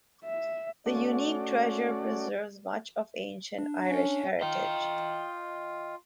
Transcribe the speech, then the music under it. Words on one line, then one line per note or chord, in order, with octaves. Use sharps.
The unique treasure preserves much of ancient Irish heritage.
E5
A3 C#4 F#4 D5
D4
C#4
F4 D#5 G5